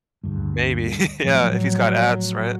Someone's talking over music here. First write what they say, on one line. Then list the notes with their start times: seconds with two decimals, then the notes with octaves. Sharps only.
Maybe, yeah, if he's got ads, right?
0.24 D2 G2
1.24 A2 F3 F#3